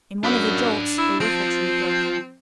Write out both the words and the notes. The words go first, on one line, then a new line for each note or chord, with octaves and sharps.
In one of the jolts, the whiffle-tree broke.
F#2 D4 B5
E4
F3 C4